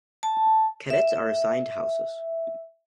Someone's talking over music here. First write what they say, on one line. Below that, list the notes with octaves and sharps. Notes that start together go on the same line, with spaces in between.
Cadets are assigned to houses.
A5
E5